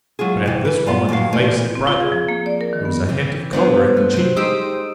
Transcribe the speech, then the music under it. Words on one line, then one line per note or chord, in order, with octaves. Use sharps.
But at this moment the face had brightened, there was a hint of colour in the cheeks.
F#3 G#3 F4 G#4
C3 E3
G3 B4
A#2 B3 F4
D#2 A2 F#3 G4 F5
F2 A#2 E3 A3
C4
F4
G#4
F3
A#3
D5
A#4
D#3
B3
E3 C4
B3 D4 F4 B4 C5
A3
C3 F#3 C5
G#3 D#4 G4 C5 D#6 E6 D7